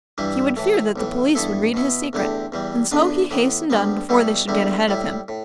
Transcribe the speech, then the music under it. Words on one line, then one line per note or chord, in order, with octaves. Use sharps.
He would fear that the police would read his secret, and so he hastened on before they should get ahead of him.
G2 E3 G3 E4
A2 E3 A3
B1 A2 E3
G2 E3 B3 E4 A4
B2 B3 E4
E2 D3 A3 G4
E2 E3 G3
E2 D3 B3 D4 B4
A2 E3 B3
D2 D3 G3 B3
B2 G3 E4 A4
E2 D3 G3 E4
A2 G3 E4
A2